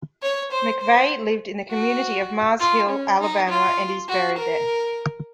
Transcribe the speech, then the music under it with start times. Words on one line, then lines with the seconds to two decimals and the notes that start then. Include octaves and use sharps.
McVay lived in the community of Mars Hill, Alabama and is buried there.
0.22 C#5
0.52 C5
0.81 C5
1.71 F#4
2.60 F4
2.90 C#4
3.19 D#4
3.49 F4
4.09 F#4
4.38 A#4